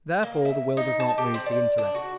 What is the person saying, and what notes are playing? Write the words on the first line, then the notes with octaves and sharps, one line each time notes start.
Therefore the will does not move the intellect.
A#3
E5
D#4
A5
G4
C4
D5
D4
F#4